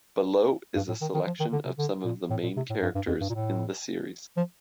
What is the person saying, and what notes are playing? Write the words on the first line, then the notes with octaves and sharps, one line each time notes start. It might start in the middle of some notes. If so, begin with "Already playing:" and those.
Below is a selection of some of the main characters in the series.
G2
A2
D#3
D#3
F3
D#3
D3
C3
D3
A#2
A2
A#2
C3
A2
G2
G2
F2
G2
A#2
A2
F3